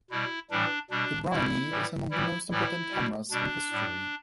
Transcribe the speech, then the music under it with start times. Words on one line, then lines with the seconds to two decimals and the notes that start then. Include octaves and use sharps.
The Brownie is among the most important cameras in history.
0.10 B2 G3 E4
0.50 A2 E3 G3 D4
0.91 B2 G3 D4
1.31 B2 G3 E4
1.71 A2 E3 G3
2.11 A2 E3 G3 E4
2.51 A2 E3 G3 E4
2.91 B2 G3
3.31 B2 G3 D4
3.71 A2 G3